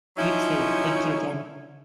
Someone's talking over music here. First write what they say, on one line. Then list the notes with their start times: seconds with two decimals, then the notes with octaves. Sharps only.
you too. Thank you, again.
0.17 F3 F#3 C#4 D#4 E4